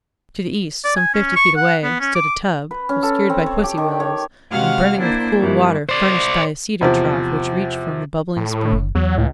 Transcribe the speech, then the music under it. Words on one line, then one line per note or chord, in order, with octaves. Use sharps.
To the east, some fifty feet away, stood a tub, obscured by pussy willows, and brimming with cool water furnished by a cedar trough which reached from the bubbling spring.
D5
G#5
C#4
C#6
F#5
B3
C#4
D6
B4
C#4
A4
C4
C#5
G4
D#3
C#5
C3 G#3 F#4 F5 F#5 F6
A#3 D4 E4 C5
G2 C3 D#3 E3
C5 D5
E2 C3 F3
A2
F#1
E2 F#3
C#2 A2